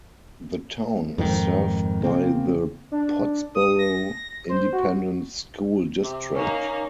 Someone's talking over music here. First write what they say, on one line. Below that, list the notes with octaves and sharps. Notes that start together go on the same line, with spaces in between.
The town is served by the Pottsboro Independent School District.
F2 G#2 D#3
C#3 A#3 C4
D4
D#6
A#6
C5
F#4
C3
A#3 C#4 D#4